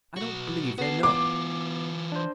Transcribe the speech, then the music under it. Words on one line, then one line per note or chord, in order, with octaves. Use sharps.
I don't believe they know.
B1 F#4
B3 F#4 A4 C7
E3 F4 D6
D4 C5